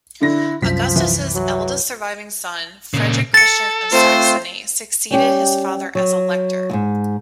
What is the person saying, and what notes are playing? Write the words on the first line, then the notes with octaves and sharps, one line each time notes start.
Augustus's eldest surviving son, Frederick Christian of Saxony, succeeded his father as Elector.
D3 E4 A#6
C2 F#2 F3 B6
E3
F#3
A#2 C#3
A4 A6 C#7
A3 C4 F4 C5
G3 C#4 G4
F#3
D#2 G#2